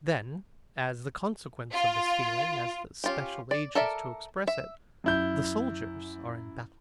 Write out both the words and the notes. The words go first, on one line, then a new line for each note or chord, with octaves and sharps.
Then as the consequence of this feeling, as the special agents to express it, the soldiers are in battle.
F4
C#4 F4 G4
D5
A4 A#4 D5 E5
E5
F#2 E4 G6